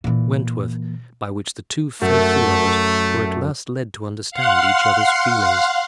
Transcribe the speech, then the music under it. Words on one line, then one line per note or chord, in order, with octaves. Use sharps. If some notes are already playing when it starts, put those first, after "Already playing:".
Wentworth, by which the two faithful lovers were at last led to understand each other's feelings.
A#2 E3
F#2 A3
F5 F#5 C6